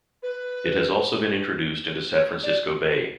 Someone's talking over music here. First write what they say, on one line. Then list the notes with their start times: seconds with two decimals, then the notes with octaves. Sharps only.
It has also been introduced into San Francisco Bay.
0.23 B4
2.12 C#5
2.43 D5